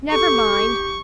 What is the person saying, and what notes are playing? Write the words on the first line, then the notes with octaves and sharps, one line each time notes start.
Never mind!
G4 A4 C#6